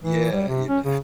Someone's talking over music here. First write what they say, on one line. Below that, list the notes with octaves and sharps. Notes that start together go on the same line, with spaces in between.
yeah, you know.
E3
G3
C3
C#4
C#3